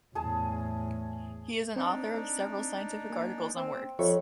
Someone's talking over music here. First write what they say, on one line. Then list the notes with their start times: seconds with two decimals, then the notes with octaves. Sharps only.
He is an author of several scientific articles and works.
0.15 E2 A2 G#4 A5
1.76 C4 D4 D#4
3.10 A#3 G#5
3.56 C4
3.99 F2 F3 A4 C#5 E5 C#6